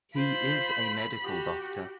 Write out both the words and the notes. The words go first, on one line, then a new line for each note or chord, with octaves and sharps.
He is a medical doctor.
F4 C5 B5
F#4 G4